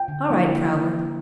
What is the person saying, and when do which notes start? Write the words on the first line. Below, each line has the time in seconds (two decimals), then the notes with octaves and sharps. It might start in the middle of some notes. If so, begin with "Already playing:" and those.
"All right, Prowler."
Already playing: G5
0.08 D3
0.29 F3 A#3 E4
0.49 D3